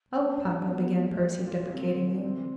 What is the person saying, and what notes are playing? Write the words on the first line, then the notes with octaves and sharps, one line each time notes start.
"Oh, papa!" began Percy, deprecatingly.
C4 D4
D4 A4
B3 A4
G4
A3
G3 A4
A3
F3 G4
G3
E3 F4
F3
E3
D3 C4
E3
D4
D3 C4
E3
D3